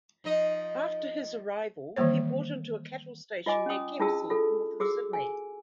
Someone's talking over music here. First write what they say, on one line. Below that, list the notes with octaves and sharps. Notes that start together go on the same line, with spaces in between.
After his arrival, he bought into a cattle station near Kempsey, north of Sydney.
F3 D#4 D#5
D#3 E3 G3 A#3 C5 C#5
F4 D#5 G#5 D6
C#4 D#6
D4 E4 F4 G#4 A5 E6
F4 A4
F#4 G#4 D6 E6
G#5